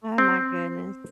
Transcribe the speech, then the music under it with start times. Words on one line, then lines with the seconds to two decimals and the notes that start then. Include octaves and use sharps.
Oh my goodness.
0.18 C4